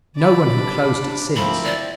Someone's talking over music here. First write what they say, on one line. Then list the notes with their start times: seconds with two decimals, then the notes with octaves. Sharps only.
No one had closed it since.
0.17 D5 B5
0.55 C3 G3 D4
1.36 D2 F3 A#3 C4 E4 B5
1.64 D5